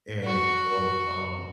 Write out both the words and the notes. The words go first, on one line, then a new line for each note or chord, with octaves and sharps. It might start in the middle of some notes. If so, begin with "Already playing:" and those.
and so, um,
F#4